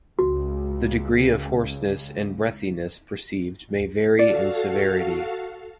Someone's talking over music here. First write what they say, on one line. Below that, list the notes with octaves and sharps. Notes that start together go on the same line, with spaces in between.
The degree of hoarseness and breathiness perceived may vary in severity.
C#2 F#4
F#4 A4 D5 F5